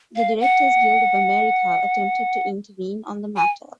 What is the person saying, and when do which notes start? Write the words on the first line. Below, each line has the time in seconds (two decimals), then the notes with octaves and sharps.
The Director's Guild of America attempted to intervene on the matter.
0.16 F5
0.41 F#5
3.37 G#5